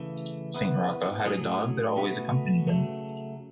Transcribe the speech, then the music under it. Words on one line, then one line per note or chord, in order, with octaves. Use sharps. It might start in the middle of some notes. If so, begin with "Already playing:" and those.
Saint Rocco had a dog that always accompanied him.
Already playing: C#3 E3 A3
B3 E4 B4
A2 F#3 C#4 G#4
B2 A3 C#4 F#4 B4
C#3 F#3 A3